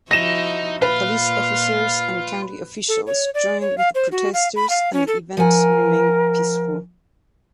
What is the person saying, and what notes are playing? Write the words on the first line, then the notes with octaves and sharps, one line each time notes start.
Police officers and county officials joined with the protesters and the event remained peaceful.
F3 D#4 E4 F#4 A#6 E7
A#2 F4 B4 F5
A4
C#5
D5
C#5
F5
C5
F#4
F5
B5
F5
C#4
A4
F3 A#4 F#5 G#5